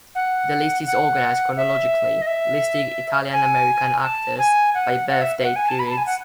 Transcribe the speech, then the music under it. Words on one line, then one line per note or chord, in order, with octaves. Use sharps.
The list is organized chronologically, listing Italian American actors by birth date periods.
F#5
F#5
E5
D#5
E5
G#5
A5
G#5
F#5
F#5
E5
F#5
G#5
A5
B5
A5
G#5
F#5